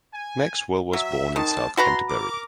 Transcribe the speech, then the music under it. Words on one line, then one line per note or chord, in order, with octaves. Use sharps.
Maxwell was born in South Canterbury.
G#5
F#3 E5
D#3 G#3 C4 A5
E4 F#4 B4 A5 A#5 C6
A#4 D6